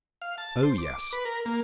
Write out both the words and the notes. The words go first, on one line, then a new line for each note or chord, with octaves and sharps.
Oh, yes!
F5
A5
C5
D6
B4
A#4
A#3